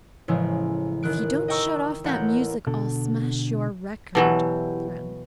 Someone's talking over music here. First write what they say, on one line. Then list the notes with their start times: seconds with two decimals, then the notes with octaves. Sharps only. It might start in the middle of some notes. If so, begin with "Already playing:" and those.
"If you don't shut off that music I'll smash your record," threatened Ojo.
0.28 A1 A2 C#3 E3 F3 G#3
1.03 A1 D#3 F#6 D7
1.48 D#5 G5 A#5 C#6 E6
2.04 A1 A#3 F#5 A#5 G6
2.67 B2 D3 A4
4.15 B2 E3 F#3 E4 G4 A5